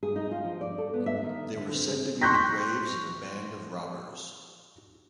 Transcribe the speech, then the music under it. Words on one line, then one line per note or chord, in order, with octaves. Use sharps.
They were said to be the graves of a band of robbers.
G#4
D#4
F4
F3
D5
A4
B3
E5
D#3
D3
C4
G#4
C6 C#6 F#6 G6 A#6 B6